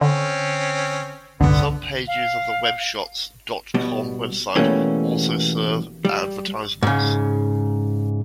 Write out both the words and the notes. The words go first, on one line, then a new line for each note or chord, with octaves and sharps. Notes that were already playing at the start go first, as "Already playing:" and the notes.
Some pages of the webshots dot com website also serve advertisements.
D3 C4 C#4
G1 C2 D3 B3
F5
B2 G3
B2 E3 G3 A3 A#3 C#4
G3
G#2 C#3